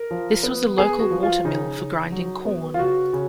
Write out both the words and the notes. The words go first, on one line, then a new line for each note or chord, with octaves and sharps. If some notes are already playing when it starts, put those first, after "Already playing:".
This was the local water mill for grinding corn.
Already playing: A#4
F3
B3
B3 G#4
F#4
F3
F4
C#3 D#4
C#3
F#3
B3
F4
C#3 F#4
C#3